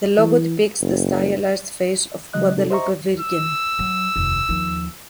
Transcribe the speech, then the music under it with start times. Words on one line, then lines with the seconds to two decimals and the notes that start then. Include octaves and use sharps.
The logo depicts the stylized face of Guadalupe Virgen.
0.18 E3
0.81 F#1
2.33 C#3 E3 F#3 G#3 D#5 F#6
2.57 C3 G3 C4 D#4 A4
2.70 C5 D#5 E5 A#5 C#6
3.20 E6
3.79 F#3
4.16 F1 D#2
4.49 D#2 F3